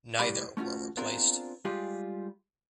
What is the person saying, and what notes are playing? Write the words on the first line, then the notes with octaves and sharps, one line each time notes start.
Neither were replaced.
C2 A2 G4 D5 B5
A3 C#4 D#4 F4 F#4
B3 C4 D4 F4 G#4 A#4
G3 G#3 F4 G4 G#4